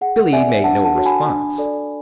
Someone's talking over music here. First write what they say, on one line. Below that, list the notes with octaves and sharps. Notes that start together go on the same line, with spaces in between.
Billy made no response.
G#4 F#5
D5 E5 G#5
D4 F#5 A5
F#5 A5
F#4 A4 C#5
G#5 B5
D4
A4 D5